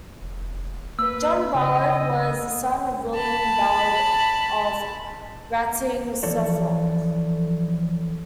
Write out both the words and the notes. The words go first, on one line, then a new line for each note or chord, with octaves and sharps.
John Ballard was the son of William Ballard of Wratting, Suffolk.
F1
A#3 B4 E6
C#3 D#5
A5 B5
E3 F3 A4 C#5 D5